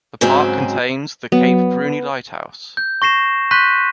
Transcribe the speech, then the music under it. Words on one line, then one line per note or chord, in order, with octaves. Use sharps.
The park contains the Cape Bruny Lighthouse.
G#2 C#3 F#3 C4 F#4
F#3 B3
G6
C#6 A#6 C7 E7
C6 C#6 F#6 G6 B6 D#7